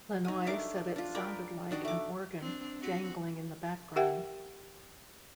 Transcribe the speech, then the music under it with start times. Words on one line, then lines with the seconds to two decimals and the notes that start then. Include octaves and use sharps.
Lanois said it sounded like an organ "jangling in the background".
0.25 D#4 G#5
0.47 A3 D4 A#4 D6
0.96 D4 F4
1.15 A#4 D5 G5 B5
1.71 D#3 D4 F#4 D#5
1.85 A3 D6
2.40 C4 D4
2.79 C4 F#4
3.96 G4 A#4 E5 F#5 G5